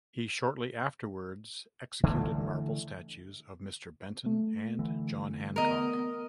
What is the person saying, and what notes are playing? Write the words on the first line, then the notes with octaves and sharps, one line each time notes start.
He shortly afterwards executed marble statues of Mister Benton and John Hancock.
D3 E3 A3
A3
D3 E3
B3 A#4 D#5